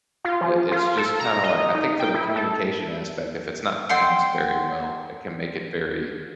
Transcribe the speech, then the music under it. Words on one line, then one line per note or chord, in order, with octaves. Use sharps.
i it's just kinda like, I think for the communication aspect, if it's not balanced very well, it can make it very,
F4
F3
F4
A4
A#5
D#5
D#4
G5
E4
A4
F#5 G5 C6 E6